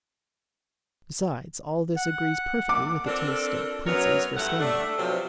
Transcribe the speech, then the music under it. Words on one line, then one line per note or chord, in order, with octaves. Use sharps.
Besides, all this agrees perfectly with the taste of princes for scandal.
F#5
D6
C4 D4 F4 A4 A#4
F#2 B3 A#4 C#5
G2 A3 E4 F#5
A3 D4
C3 F3 F#3 B3 C4